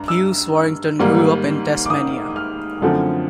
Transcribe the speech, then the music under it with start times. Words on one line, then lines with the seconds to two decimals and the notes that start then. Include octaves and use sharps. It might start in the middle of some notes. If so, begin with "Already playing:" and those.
Hughes-Warrington grew up in Tasmania.
Already playing: G2 A#5
0.08 E6
0.99 G#2 D#3 G3 A#3
1.86 D6
1.90 D#6
2.36 F6
2.82 F#2 D3 F3 A3 C4